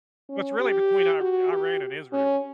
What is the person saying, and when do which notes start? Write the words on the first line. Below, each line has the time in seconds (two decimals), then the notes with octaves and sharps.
So it's really between Ir Iran and Israel.
0.29 C#4
0.59 G4
1.20 F#4
1.52 G4
2.13 C#4